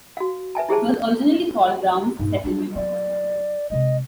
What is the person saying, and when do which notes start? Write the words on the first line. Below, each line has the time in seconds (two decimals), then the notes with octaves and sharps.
It was originally called Browns Settlement.
0.17 F#4 F5
0.55 B4 E5 G#5 A5
0.69 E4 G4 G#4 C5 A5
2.19 G2 A#2 D#4
2.44 F#3 G3 D4
2.76 F#3 E4 D5
3.70 C3 G#3 D#5